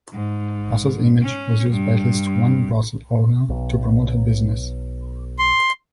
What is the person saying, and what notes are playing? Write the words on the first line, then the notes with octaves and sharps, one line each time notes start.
Busse's image was used by at least one brothel owner to promote her business.
G#2
C#4
G2
B1
C6